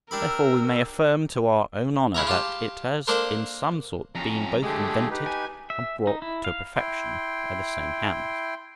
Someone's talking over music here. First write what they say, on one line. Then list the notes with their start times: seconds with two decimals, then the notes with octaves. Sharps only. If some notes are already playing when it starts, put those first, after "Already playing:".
Therefore we may affirm, to our own honour, that it has in some sort been both invented and brought to a perfection by the same hands.
0.11 D4 G4 A#4 B5 E6
2.15 C#3 E4 C#5 A#5
2.27 F4 G4 A5
3.07 A#3 D4 A4 A#4 C5
4.15 F2 C#4 A#5
4.63 D3 G#3 A3 G4 G#4
5.11 D#4 G4 B4
5.27 G#5
5.70 E5
6.07 D#4
6.22 E4
6.45 F5
6.76 E4 G5 C6